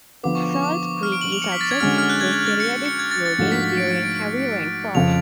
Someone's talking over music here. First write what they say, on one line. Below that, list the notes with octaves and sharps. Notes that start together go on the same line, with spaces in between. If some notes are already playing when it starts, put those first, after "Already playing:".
Salt Creek is subject to periodic flooding during heavy rainfall.
D3 F3 B3 D6
C#6
D6
C#6
D6
F6
D7
F#7
F7
C#7
B6
A6
G#6
D3 G#3 C#4 F#4 F6
F6
F#6
G#6
G#6
A6
C#7
C#7
C#7
G#6
A6
A6
G#2 F3 A3 D4 F#4
B6
B6
D7
D7
D7
F2 C#3 F3 F7